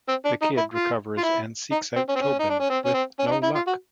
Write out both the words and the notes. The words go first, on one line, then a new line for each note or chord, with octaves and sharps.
The kid recovers and seeks out Tobin, with no luck.
C4
D4
D#4
E4
F4
F4
E4
D#4
C4
C#4
C4
C#4
D#4
D4
C#4
C4
C#4
C4
C#4
D4
D#4
E4
F4
F#4